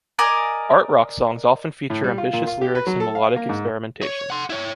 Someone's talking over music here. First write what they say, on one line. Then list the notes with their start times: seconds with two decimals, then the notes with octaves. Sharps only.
Art rock songs often feature ambitious lyrics and melodic experimentation.
0.19 A#4 D5 D#5 G#5
1.90 A2
2.04 G3
2.18 F4
2.33 A#2
2.47 F4
2.61 G4
2.75 B4
2.87 F#3
3.00 A4
3.15 F5
3.36 A#3
3.49 G#2
4.03 C#5
4.30 F#5 C6
4.50 E4 C#5